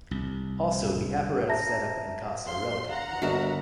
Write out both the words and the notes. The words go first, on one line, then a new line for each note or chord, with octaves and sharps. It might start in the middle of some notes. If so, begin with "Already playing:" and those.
Also, the apparatus set-up and costs are relatively low.
C2
E5 A5 A#5 A#6
F5 C6
F5 F#5 A#5
G1 D4 F#4 A#4 D#5 E5